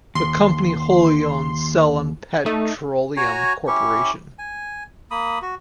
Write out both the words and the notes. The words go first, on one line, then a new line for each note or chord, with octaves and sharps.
The company wholly owns Ceylon Petroleum Corporation.
D#2 C6
A3 D#4
F#4 C#5 G#5 A#5
C#4 E4 G4 C#6
G#5
A#3 B5 D#6
F#4